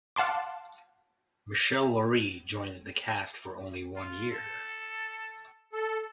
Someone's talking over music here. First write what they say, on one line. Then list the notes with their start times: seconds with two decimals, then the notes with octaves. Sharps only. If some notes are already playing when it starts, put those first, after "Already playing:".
Meshel Laurie joined the cast for only one year.
0.16 F5 F#5 A5 C6 D6
3.96 F4
4.31 A4
5.73 A4